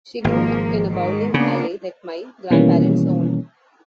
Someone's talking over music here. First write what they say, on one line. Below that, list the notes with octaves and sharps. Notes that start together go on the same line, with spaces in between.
She grew up in a bowling alley that my grandparents owned.
G#1 F3 A#3
G#2 D#3
C#3 A#3 B3 D4
B2 D#3 E3 G3 A#3 C#4